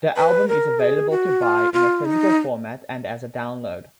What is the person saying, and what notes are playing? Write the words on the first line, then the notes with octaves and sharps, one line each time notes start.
The album is available to buy in a physical format and as a download.
B4
A#4
G#4
F#4
F4
F4
D#4